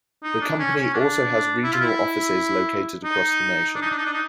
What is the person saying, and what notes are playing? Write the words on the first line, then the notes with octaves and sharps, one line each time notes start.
The company also has regional offices located across the nation.
D#4
D4
C#4
C#4
D4
E4
F4
E4
D#4
D4
D#4
D4
D#4
D4
D#4